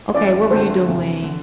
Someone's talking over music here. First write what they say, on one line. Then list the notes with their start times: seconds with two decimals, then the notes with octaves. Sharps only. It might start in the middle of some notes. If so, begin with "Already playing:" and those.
"Okay. What were you doing?
0.14 A1 G2 E3 D5
0.50 G1 F2 D3 F3 A3 C5
0.87 E1 D2 C3
1.24 D3